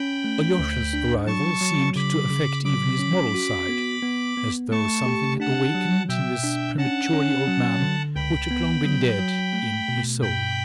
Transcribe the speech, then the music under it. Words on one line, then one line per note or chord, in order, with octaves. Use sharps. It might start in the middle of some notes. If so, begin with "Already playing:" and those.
Alyosha's arrival seemed to affect even his moral side, as though something had awakened in this prematurely old man which had long been dead in his soul.
Already playing: C#4 G5 B5
A3
D2
D4
F#3 A5 C#6
F#3
C#3 B5 D6
C#3
F#3 B5 D6
C#4
F#4
B3
B3
B3
A3 A5 C#6
G4
D4 F#5 A5
F#3
B2 E5 G5
D4
C#4 F#5 A5
C#4
F#3
D3
C#2 G5 B5
B3
F#3
F#3
A3
B2
G2 G5 B5